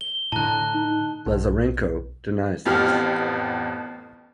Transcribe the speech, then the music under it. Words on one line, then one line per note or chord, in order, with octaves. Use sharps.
Lazarenko denies this.
G7
A2 D3 A5 A#5 F#6
D#4
B1
A1 F2 B3 G4 F6